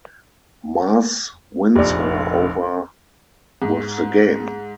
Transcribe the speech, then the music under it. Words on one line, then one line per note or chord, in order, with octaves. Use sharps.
Mars wins her over with the game.
F1 A#1 G4 D5
G#2